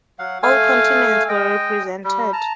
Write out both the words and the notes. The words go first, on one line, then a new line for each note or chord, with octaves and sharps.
All continents were represented.
F#3 F5 F#5
A3 F5 G#5
G#3 D#5 G5
G3
A5 A#5